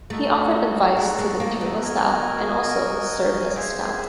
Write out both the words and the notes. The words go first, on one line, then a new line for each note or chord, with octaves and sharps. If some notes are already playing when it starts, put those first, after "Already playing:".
He offered advice to the technical staff and also served as a scout.
A3 D#4 F#4 A4
G#3
G#3
A#3
B3
F#4 A#4 D#5 G#5
A#3 G#4 C5 E5 G#5